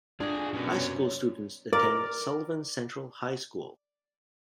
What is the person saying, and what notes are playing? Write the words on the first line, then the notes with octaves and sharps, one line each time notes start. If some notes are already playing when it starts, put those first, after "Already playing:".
High school students attend Sullivan Central High School.
D4 F4 G4 G#4
B1 B3 C#4 F#4
C3 G#4 C#5
A#4 D5